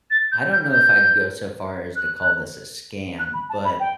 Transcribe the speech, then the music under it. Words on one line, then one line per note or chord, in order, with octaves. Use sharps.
I don't know if I'd go so far as to call this a scam, but
A6
G6
G6
G6
F#6
F#6
B5
A5
B5
G5